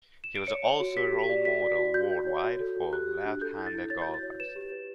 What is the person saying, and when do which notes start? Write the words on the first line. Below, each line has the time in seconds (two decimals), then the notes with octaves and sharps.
He was also a role model worldwide for left-handed golfers.
0.24 E7
0.36 D7
0.47 C#5 C#7
0.64 C#5
0.80 F#4
0.97 G4 B6
1.13 G4
1.29 D5
1.45 F#4 B6
1.62 D5
1.79 F#4
1.94 F#4 G6
2.11 F#4
2.27 C#5
2.44 F#4
2.60 A4
2.76 F#4
2.92 G4 F#6
3.09 G4
3.25 D4
3.41 A4 G6
3.57 E4
3.66 A6
3.74 E4
3.90 C#5 A6
4.02 G6
4.07 F#4
4.14 A6
4.23 C#5
4.40 B4 E7
4.56 G4
4.72 B4